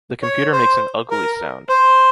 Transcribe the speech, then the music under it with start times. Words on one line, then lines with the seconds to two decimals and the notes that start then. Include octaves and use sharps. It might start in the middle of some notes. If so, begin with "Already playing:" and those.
The computer makes an ugly sound.
0.23 C#5
0.52 C5
1.11 A#4
1.69 C5